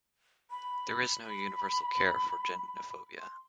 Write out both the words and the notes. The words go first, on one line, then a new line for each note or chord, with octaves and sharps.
There is no universal cure for genophobia.
B5
C6